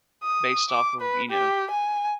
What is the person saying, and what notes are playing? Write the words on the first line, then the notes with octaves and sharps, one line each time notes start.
based off of, you know,
D#6
D6
B4
G4
G#5